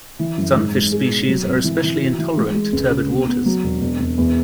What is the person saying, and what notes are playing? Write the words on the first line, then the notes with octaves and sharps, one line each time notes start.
Sunfish species are especially intolerant to turbid waters.
E3
F#2
G#2
G#2
G#4
B2
F#3
G#1
E3
E3
F#4
E3
G#3
G#3
C#2
C#3
B3
B3
F#3
E1
E1
E1
E2